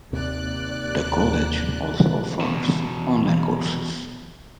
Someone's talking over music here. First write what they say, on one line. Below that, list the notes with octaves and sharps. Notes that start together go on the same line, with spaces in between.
The college also offers online courses.
D#2 C3 D5 F#6
E2 B2